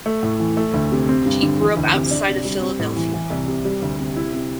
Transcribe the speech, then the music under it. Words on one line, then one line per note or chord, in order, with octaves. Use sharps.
She grew up outside of Philadelphia.
A3
A2
E3
A3
D2
C3
C4
G2
D3
E3
D2
C3
D4
C3
G3
C4
A2
E3
E3
C2
C3
G3
D2
C3
E4
C3